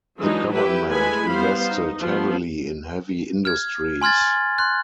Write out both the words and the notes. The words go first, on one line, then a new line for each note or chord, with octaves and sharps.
The government invested heavily in heavy industries.
E3 F#3 G#3 D4 D#4
E4 G4 B4
G#3 A3 E4 B4 G#5 B5
G3 B3 C5 F5
D#4
F3 A3 B3
F6 G#6
G#5 C6 F6 G#6 A6
C6 F#6